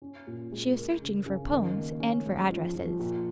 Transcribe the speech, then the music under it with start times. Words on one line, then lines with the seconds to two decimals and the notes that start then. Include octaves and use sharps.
She was searching for poems and for addresses.
0.02 C#4
0.27 A#2
0.52 G#3
0.77 A#4
1.02 C#3
1.26 C#3
1.51 D#3
1.76 A#3
2.00 C#4
2.25 G#2
2.50 F3
2.75 F3
2.99 A#2